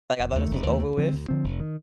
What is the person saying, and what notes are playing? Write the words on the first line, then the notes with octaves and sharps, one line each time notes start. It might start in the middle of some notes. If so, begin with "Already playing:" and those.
like, "I thought this was over with?"
F1
D#2 D#3 A3
F1
D#2 D#3 A3
D2
D3 F3 C4
D2
D3 F3 C4
F1
D#3